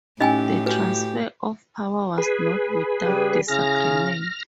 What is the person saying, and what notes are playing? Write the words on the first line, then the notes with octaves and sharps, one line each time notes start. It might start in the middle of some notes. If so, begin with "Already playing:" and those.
The transfer of power was not without disagreement.
A2 C#4 D#4 G4 D#5 G5 G#5
F#4 G4 B4 G#5 G6
G#4 B4
C#3 G3 G4
C#3 E4 G#4 F6 A#6